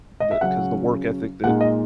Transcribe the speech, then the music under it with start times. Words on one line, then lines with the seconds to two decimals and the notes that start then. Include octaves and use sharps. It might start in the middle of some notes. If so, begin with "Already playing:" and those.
The 'cause the work ethic that
0.20 D#5
0.31 E5
0.41 C#3 F#3 C#4 F#5
1.44 A#2 G#3 D#4 F#5
1.61 D#5